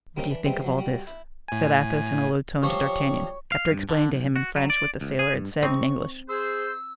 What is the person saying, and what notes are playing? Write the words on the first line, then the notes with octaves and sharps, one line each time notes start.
"What do you think of all this?" said Athos, in a low tone to D'Artagnan, after explaining to him in French what the sailor had said in English.
G3 A#3 C4 C#4 D#4
E3 D4
E3 F3 G3 G#3 C4
F3 F#3 F#4
G3 F#4
E4
A2 G#5
F3 G3 C4 C#5 C#6
F5
G2
D3
B1
F#4
F#3
D5
C#2
G#4
G2
C4 D#4 C#6
G#4 C5 E6